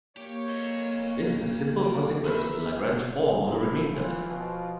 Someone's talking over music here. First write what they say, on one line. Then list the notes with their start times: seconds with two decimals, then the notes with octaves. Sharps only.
This is a simple consequence of the Lagrange form of the remainder.
0.17 A#3 G4 C#5
0.48 A4 D#5
1.82 F#4 A#4 D5
2.25 D#3 A#4 B4 E5 B5
3.45 F3 E4
3.92 E3 F3 F4
4.28 B2